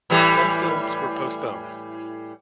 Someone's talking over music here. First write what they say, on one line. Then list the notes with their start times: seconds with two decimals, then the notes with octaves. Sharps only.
Some films were postponed.
0.10 A2 E3 G3